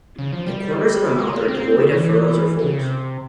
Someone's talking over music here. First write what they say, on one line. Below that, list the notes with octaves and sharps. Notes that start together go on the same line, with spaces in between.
The corners of the mouth are devoid of furrows or folds.
C#3
F3
G3
G#3
A#3
C4
A#3
C4
C#3
E3
E3
C#3
C3